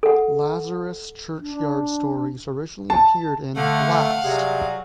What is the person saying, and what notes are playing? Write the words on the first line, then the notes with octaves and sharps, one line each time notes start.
Lazarus Churchyard stories originally appeared in Blast!
A4 F#5
D4
A5
D3 A3 F5 F#5
C3 F#3 G3 G#4